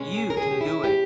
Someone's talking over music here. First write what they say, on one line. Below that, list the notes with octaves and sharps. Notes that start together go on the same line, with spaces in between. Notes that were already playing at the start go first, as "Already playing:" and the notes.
You can do it.
Already playing: B2 G#3 C#4
G#4
A#4
G#4
G4
E4
G4